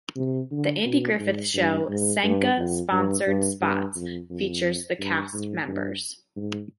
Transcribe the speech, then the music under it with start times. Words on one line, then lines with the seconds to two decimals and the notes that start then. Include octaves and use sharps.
The Andy Griffith Show Sanka sponsor spots featured the cast members.
0.16 C3
0.51 D3
0.85 B2
1.19 G#2
1.54 G2
1.89 G#2
2.23 G2
2.57 F2
2.92 G2
3.27 G2
3.61 G2
3.95 F2
4.30 F2
4.99 G2
5.33 G#2
5.68 G2
6.36 G#2